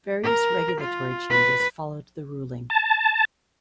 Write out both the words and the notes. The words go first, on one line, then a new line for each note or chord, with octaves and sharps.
Various regulatory changes followed the ruling.
A#4
F4
B4
A5